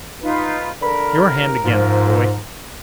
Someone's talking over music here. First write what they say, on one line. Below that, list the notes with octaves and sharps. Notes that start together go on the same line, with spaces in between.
Your hand, again my boy!
D#4 F4 B4
D3 A#4 B5
D#2
G#2 F3